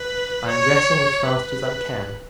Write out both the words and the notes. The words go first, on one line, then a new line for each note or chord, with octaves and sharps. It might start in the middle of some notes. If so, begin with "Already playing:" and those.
I am dressing as fast as I can.
Already playing: B4
C#5
B4